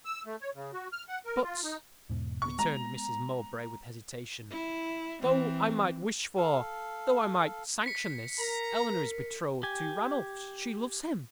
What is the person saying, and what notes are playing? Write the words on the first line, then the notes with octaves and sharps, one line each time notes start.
"But," returned Mrs. Mowbray, with hesitation, "though I might wish for--though I might sanction this, Eleanor is betrothed to Ranulph--she loves him."
E6
A3
C#5
C#3
F#4
F6
F#5
A#4
F4
D#4
E2 G#2 B2
D1 B3 C#6
G#3 A3 B3 A#5
E4
E3 C4
A4 F5
B6 C#7
A#4 A#5
G4 G#5